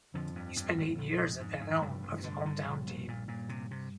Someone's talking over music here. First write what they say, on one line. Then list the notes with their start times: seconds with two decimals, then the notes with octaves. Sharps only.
He spent eight years at the helm of his hometown team.
0.14 F2 D3 F3
0.35 G2
0.56 G2
0.78 G#1
0.98 A#1
1.19 G#2
1.40 G#2
1.61 G#2
1.81 F1 G2 G3
2.03 F1
2.24 D3
2.45 D3
2.66 A#1
2.87 A#1
3.08 A#2
3.28 A#2
3.49 C3
3.71 C3